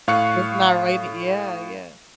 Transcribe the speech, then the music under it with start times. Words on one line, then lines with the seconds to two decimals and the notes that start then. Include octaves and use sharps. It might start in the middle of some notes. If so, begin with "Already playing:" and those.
It's not right it yeah, yeah.
0.08 A2 F5 C#6 F#6 C#7